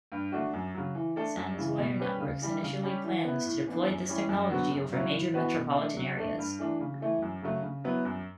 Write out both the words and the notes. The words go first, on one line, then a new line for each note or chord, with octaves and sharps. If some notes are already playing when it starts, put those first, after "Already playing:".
Sanswire Networks initially plans to deploy this technology over major metropolitan areas.
G2
D3 A3 D4 F#4
F#2
C#3 F#3
E3
A3 D4 A4
F#2
C#3 E3
B2
G3 C#4 G4 B4
C#3
E3 G3
C#3
G3 C#4 G4
E3
B3 E4
A2
E3 B3 D4
F#2
E3 G3 C#4
F#2
D3 F#3 B3 F#4
F#2
C#3 F#3 C#4 E4
A2
E3 B3 F#4 B4
B2
A3 D4
F#3
A3 D4 A4
G2
E3 A3 D4
C#3
E3 A3 E4
F#2
C#3 F#3 A3
C#3
F#3 B3 E4
F#2